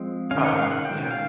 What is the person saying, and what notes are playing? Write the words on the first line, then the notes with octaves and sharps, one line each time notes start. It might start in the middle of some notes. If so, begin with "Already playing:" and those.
Uh-huh, yeah.
Already playing: F3 G#3 C4
D#3 G#3 C#4 F5
F#5
F5
F#5
G5
F5